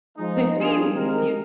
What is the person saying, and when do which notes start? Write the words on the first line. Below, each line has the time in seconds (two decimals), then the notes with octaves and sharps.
They seem you
0.17 F3 G#3 D#4
0.56 G3 D4 F4 G#4
0.95 D#3 G#3 C4 G4 A#4